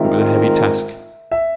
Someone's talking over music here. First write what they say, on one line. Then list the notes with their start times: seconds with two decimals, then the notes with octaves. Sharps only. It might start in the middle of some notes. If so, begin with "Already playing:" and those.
It was a heavy task.
Already playing: D#3 G#3 C4 F4 A#4 E5
1.32 E5